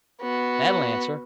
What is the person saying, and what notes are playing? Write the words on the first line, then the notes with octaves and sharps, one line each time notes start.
That'll answer.
B3 F#4